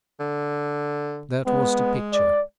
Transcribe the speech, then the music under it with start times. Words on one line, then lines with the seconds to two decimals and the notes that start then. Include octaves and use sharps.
That was the picture!
0.20 D3
1.47 G#3 B3
2.13 D5